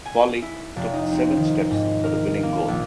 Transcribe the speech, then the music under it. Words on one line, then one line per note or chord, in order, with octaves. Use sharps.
Foley took seven steps for the winning goal.
G#5
E4
F1
D#4
C4
D#3
G#2
A#4
A#3
A#1